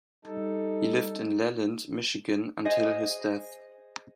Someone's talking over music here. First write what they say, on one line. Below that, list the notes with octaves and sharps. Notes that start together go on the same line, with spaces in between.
He lived in Leland, Michigan until his death.
G3 D#4 A4
G#4 C5 D#5 F#5